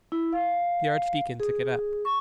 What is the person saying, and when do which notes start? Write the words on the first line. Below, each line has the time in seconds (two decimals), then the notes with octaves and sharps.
The Archdeacon took it up.
0.12 E4
0.33 F5
1.40 G#4
2.05 C#6